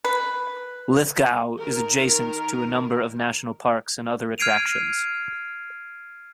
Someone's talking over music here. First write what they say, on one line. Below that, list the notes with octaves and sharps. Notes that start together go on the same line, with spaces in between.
Lithgow is adjacent to a number of national parks and other attractions.
B4
D#3 A#4
F6 G#6 C7 D7 D#7 F7